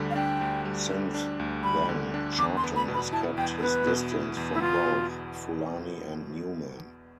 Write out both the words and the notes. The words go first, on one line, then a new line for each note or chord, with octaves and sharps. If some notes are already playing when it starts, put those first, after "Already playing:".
Since then, Sharpton has kept his distance from both Fulani and Newman.
Already playing: D2 D3 G3
F5
D4 G5
D2
G3
D3
D4
D2
G3 B5
D3
D4
E2 D6
C6
B3
B5
B2
B5
E4 A5
E2 G5
A4
B3 B4
B2
E4
E2
E4
B3 F4
B2